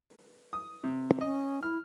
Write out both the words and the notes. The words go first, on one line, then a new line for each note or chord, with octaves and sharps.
I have made my way through three years of posts.
D#6
C3
C#4 D#5
E4 F6